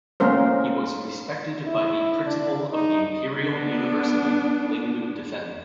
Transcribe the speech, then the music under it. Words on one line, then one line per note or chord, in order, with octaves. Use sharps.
He was respected by the principal of the imperial university Linghu Defen.
A3 A#3 C#4 A#4 C5
E4
D4
D#4
B3 D4